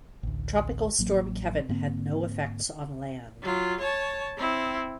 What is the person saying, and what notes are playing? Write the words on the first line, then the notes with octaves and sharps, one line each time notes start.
Tropical Storm Kevin had no effects on land.
A1 D2
A1 F#3 A#3
G#2 D3 A#3 C4
F#3 F4
C#5 A5
C4 E4